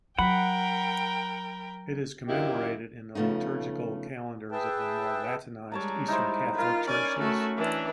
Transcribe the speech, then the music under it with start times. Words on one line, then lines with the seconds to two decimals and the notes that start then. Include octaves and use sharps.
It is commemorated in the liturgical calendars of the more Latinized Eastern Catholic Churches.
0.19 F#3 A#4 F#5 G5 B5
2.28 F#2 D#3 A#3 E4 G4
3.15 C#3 F3 A3 B3 D#4
4.52 G#4 B4 E5 G5 A5
5.72 G3 G#3 C#5 A5 A#5
6.08 D#4 E4 C5
6.55 F4 A#4 B4
6.87 C#4 D5 G#5
7.18 A3 F#4
7.57 E3 D4